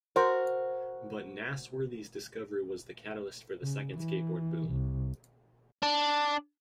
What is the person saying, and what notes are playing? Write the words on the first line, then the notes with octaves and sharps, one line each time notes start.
But Nasworthy's discovery was the catalyst for the second skateboard boom.
F#4 A#4 C5
C#3
E3
C2
D4